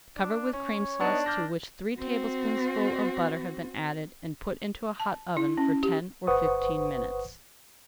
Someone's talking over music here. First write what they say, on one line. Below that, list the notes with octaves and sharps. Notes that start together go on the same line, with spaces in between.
Cover with Cream Sauce to which three tablespoonfuls of butter have been added, and put into a hot oven for ten or fifteen minutes.
D4
C#4 C#5
B3 D4 D#4
D5 F6 G6 A#6
C4 F#4
A5
E4
C#4
G4
G1 B4 C5 F#5 C#6 D#6